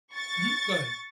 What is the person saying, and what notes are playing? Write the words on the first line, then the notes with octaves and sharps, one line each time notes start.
Mhm, go ahead.
C#6 A6